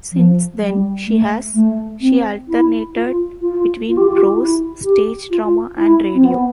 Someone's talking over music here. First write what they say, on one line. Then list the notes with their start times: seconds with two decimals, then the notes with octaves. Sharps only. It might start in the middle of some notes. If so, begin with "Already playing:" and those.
Since then, she has she alternated between prose, stage drama and radio.
0.12 F3
0.59 G3
1.06 A3
1.54 A3
2.01 C4
2.48 E4
2.95 F4
3.41 F4
3.89 F4
3.97 G4
4.05 F4
4.13 G4
4.21 F4
4.37 E4
4.84 G4
5.31 F4
5.78 E4
6.14 C4
6.25 B3